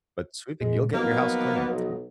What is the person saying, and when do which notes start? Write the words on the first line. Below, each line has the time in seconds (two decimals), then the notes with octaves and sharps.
But sweeping, you'll get your house clean.
0.60 A#2 G#3
0.93 F3 F#3 A#3 B3 D#4
1.71 B1